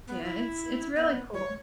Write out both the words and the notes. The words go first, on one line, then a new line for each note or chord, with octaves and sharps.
Yeah, it's it's really cool.
B3
E4
B3
C#5